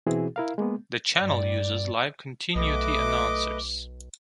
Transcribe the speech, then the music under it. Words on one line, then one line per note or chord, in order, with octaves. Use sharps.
The channel uses live continuity announcers.
B2 E3 C4 E4 F#4 G#4
E4 A#4 F5
G#3 A#3 B3
G2 D5
B1 A3 B4 D#5 D6